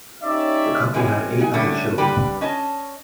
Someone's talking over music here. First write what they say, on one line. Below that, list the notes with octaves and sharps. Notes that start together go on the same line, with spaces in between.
The couple had eight other children.
C#4 D#4 G4 C#5 D5 E5
C3 E3 G#3 C#4
G#3 F#5 G#5
D3 G3 A3 C#4
D3 G3 G4 B4
C#4 D#5 A5